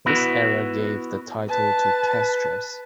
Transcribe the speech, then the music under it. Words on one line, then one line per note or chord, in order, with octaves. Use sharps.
This error gave the title to Castres.
B3 E4 F#4
B4 A5